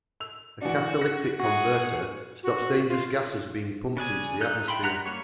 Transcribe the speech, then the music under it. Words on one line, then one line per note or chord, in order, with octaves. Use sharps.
A catalytic converter stops dangerous gases being pumped into the atmosphere.
E6 F7
E3 D4 F#4
F#6 A#6
F#4 G#4 F#5
F#4
F4
C#3 D4 G#4 G#5
D#4 A4 F#6 G6
E5 F#5 G5 B5 C6
G3 F#5 A#5 B5 F#6
G3 A#3 C#5